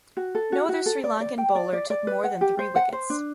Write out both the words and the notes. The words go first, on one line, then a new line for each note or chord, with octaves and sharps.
No other Sri Lankan bowler took more than three wickets.
F#4
A4
F#4
F#4
A4
D5
D5
G5
D5
D5
D5
B4
F#5
G4
C5
F#5
C5
D4